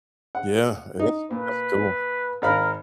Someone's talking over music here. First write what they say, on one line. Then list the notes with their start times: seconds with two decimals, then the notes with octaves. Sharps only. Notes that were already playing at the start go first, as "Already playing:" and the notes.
Yeah, that's that's cool.
0.35 F#5
1.00 D#4
1.31 A#2 B4
2.42 G#1 A#4 F5 B5